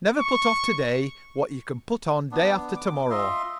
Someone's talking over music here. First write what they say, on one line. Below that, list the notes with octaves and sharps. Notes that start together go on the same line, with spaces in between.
"Never put off to-day what you can put on day after to-morrow."
C#6
B3 D4
D6
F4 D#5 E5 C6